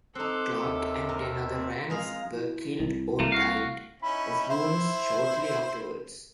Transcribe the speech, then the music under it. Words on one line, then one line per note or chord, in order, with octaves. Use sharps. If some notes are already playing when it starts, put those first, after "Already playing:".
Clark and ten other ranks were killed or died of wounds shortly afterwards.
C4 D#4 A4 C6 D6 E6 F#6
D#2 C3 E5
A#2 A#4 A#5
C4
G#3 F4 G#4 F5 A#5
E4
C2
C2 A3 A#3
F#4 F5
C#4 D#4 E4 B5
E4 C5 E5 C6